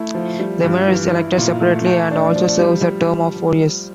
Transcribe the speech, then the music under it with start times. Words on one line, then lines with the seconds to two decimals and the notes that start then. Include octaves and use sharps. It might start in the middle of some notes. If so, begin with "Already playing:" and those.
The Mayor is elected separately and also serves a term of four years.
Already playing: A3 E4
0.14 F3
0.39 G3
0.64 G2
0.88 E3
1.13 E4
1.37 A#2
1.61 A3
1.86 A3
2.11 D4
2.36 F3
2.60 G3